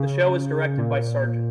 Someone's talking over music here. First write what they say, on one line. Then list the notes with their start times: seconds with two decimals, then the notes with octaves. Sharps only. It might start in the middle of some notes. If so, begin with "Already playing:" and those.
The show was directed by Sgt.
Already playing: C#3
0.77 A#2